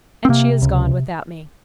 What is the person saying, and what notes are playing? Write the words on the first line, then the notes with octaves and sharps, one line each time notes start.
And she is gone without me.
C4
C3 A#3
C#2